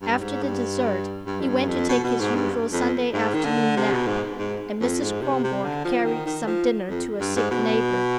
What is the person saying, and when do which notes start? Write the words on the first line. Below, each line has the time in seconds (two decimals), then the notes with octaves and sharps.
After the dessert he went to take his usual Sunday afternoon nap, and Mrs. Kronborg carried some dinner to a sick neighbor.
0.01 G2
0.21 G#2
0.43 G2
1.26 G2
1.40 F2
1.48 G2
1.68 F2
1.89 B2
2.04 B2
2.20 G#2
2.35 G2
2.72 F2
3.13 G#2
3.34 D#3
3.45 D3
3.76 C3
3.92 B2
4.07 G#2
4.38 G#2
4.81 F2
5.01 G#2
5.22 C3
5.43 C3
5.64 D3
5.84 F3
6.05 D#3
6.26 D#3
6.47 F3
6.89 F2
7.20 G2
7.36 G#2
7.51 B2